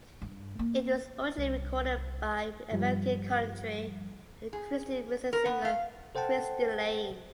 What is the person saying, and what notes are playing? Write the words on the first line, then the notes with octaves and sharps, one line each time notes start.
It was originally recorded by American country and Christian music singer Cristy Lane.
G2
A#3
C2
G2 F3 G3
G#4
A#4
B3
F5
A4 C5 F#5 G5 A5